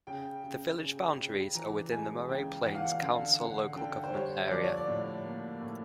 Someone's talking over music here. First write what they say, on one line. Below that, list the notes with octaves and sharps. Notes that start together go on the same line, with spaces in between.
The village boundaries are within the Moree Plains Council local government area.
C#3 G5
C#3
C#3
C#3
E3 A#5
G#3 G#5
C#3 G5
E3 F#5
F5
F#5
D3 F5
D3 F#5
D3 G5
C5
G3 C#5
F3 D5
C#5
D5
A2
A#3
A2